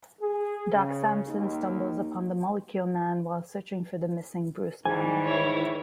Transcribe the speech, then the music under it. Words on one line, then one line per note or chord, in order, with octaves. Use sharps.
Doc Samson stumbles upon the Molecule Man while searching for the missing Bruce Banner.
G#4
C#3
D#2
G#2 D#3 E3 G3 G#5
E4 C#5